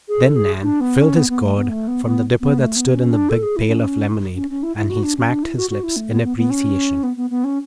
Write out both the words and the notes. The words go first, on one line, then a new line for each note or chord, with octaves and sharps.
Then Nan filled his gourd from the dipper that stood in the big pail of lemonade, and he smacked his lips in appreciation.
G#4
A4
G#4
D4
B3
C#4
B3
B3
A3
B3
A3
B3
B3
B3
A3
B3
C#4
D4
A4
G#4
E4
C#4
C#4
C#4
E4
E4
F#4
D4
C#4
D4
E4
F#4
F#4
E4
A3
B3
B3
B3
C#4
B3
B3
B3
C#4